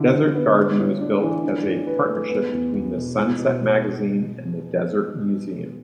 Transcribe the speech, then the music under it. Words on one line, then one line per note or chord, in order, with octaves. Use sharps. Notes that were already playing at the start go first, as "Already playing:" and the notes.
Desert Garden was built as a partnership between "Sunset" magazine and the Desert Museum.
Already playing: D3 E4
D3
B3
B3
A2
D4
E3
D4
A2
B4
A3
B3
E2
E2
B2
E4
B2